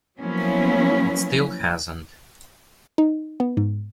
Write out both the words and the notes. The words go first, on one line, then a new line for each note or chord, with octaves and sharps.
It still hasn't.
F3 F#3 A#3 B3 C#4 E4
D#4
B3
G#2